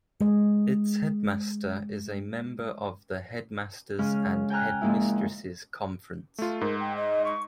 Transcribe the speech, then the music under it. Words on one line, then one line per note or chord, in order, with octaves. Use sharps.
Its headmaster is a member of the Headmasters' and Headmistresses' Conference.
G#3 D#5
C#3 G#3 C#4 F6
G5 G#5 A#5 F6 F#6
F2 G#3 A#3 E4
A3 F4
G#2 A#4
G5
D#5
C#6